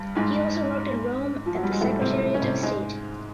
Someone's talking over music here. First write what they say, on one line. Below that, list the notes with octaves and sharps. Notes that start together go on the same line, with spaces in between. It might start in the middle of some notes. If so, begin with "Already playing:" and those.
He also worked in Rome at the Secretariat of State.
Already playing: G2 G3
G#2 G#3
F3
F#3
G3
G#3
A2 A3
C3 C4
C#4
C3 C4
G#2 G#3